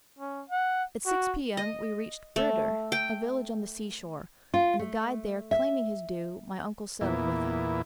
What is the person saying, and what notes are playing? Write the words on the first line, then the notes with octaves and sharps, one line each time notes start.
At six p.m. we reached Buedir, a village on the sea shore; and the guide there claiming his due, my uncle settled with him.
C#4
F#5
F#4
D#5
A3
G5
F4
A3
E5
E2 A#2 B3 E4